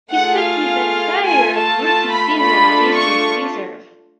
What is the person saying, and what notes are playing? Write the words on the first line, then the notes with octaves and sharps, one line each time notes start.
He spent his entire rookie season on injured reserve.
A3 F4 G#4 F#5
F5
A3 F4 A4 G#5
A5
A5
B5
A3 D4 F4 B5
C#6